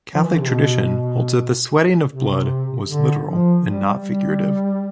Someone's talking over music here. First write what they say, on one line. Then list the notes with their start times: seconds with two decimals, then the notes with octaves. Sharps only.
Catholic tradition holds that the sweating of blood was literal and not figurative.
0.14 F3
0.22 E3
0.32 D3
0.40 C3
0.50 B2
2.08 C3
2.87 D3
3.26 F3
3.66 G3
4.05 G3